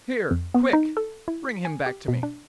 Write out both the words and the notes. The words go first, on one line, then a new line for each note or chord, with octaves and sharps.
'Here! quick! bring him back to me.'
F2
B3
D#4
A4
E4
B6
G#5
G4
B2
D4